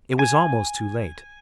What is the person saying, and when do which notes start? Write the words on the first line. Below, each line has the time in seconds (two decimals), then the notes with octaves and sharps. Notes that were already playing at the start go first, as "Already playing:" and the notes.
It was almost too late.
0.19 G#5